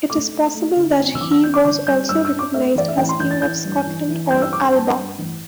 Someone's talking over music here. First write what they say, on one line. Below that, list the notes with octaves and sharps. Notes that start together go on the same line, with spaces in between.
It is possible that he was also recognised as king of Scotland or Alba.
A3 D6
A3
A3
D3
C4
E6
E2 D6
E6
C4 G6
D6
G1 D6
G3 G6
G2 E6
E6
D4
D6
A3 E5
A1 D5
E5
A1 G5
C6
A1 G6
A6
E3 G6
G2
E3
E3
G2 G6
E6
G2 D6
C6
G2 A5
G2
A1